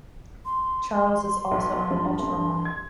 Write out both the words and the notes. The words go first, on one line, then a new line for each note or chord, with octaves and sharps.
Charles is also an ultrarunner.
C6
B1
G2 F3
C2 G2 C6
G#6